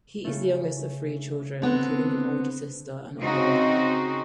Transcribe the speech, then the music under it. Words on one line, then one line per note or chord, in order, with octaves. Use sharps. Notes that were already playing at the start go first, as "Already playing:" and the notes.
He is the youngest of three children, including an older sister and older brother.
C#3 A3
D3 B3 C4
C#3 C4 D#4 F#4